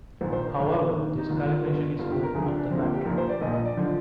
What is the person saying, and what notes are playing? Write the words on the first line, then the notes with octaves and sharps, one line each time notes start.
However, this calibration is done at the factory.
A#1 G#2 D#3 C5
C5
A#4
A#1 G#2 D#3 D4
F1 D#2 D#3
D#4
F1 D#2 D#3 F4
G1 G2 D3
G1 G2 D3 F4
G4
A#4
D2 D3 F3 G#4
D4
D4
D2 D3 F3 C4
A#3
G4
A#1 A#2 F3 A#4
C5
D5
A#1 A#2 F3 D#5
D#5
D5
D3 F3